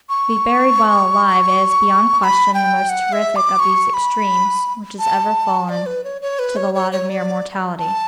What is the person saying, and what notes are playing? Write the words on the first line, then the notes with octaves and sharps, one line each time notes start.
To be buried while alive is, beyond question, the most terrific of these extremes which has ever fallen to the lot of mere mortality.
C#6
C#6
B5
G5
F#5
E5
D6
C#6
B5
A5
D5
B4
C#5
C#5
B4
C#5
C#5
C#5
D5
A5